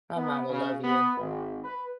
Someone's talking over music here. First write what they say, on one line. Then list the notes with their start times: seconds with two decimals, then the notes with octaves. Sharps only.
My mom will love you.
0.15 B3
0.49 C#3
0.83 B3
1.17 G#1
1.64 B4